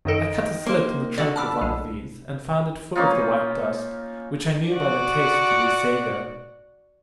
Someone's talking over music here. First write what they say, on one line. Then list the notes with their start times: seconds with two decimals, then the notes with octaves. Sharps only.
I cut a slit in the trunk of one of these, and found it full of the white dust, which I knew by the taste to be SA-GO.
0.05 F#2 D#3 A4 D#5 D7
0.66 A#3 C5
1.18 D3 F#4 A4 D5
1.36 A5 B5 D6 E6 F6
1.61 B1 G#3
2.95 A#3 C#4 D#4 F4
4.69 F#4 D5